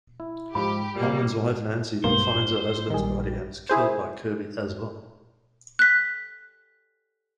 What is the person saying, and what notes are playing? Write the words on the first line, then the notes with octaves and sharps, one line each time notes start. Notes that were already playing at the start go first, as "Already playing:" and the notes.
Halman's wife Nancy finds her husband's body and is killed by Kirby as well.
E4
G#2 F3 G4 B5
A#2 G3 A#3
B1 G2 A#3 C5
A#1 D#3 G3 G#4
E4 G#4 C5
F#6 B6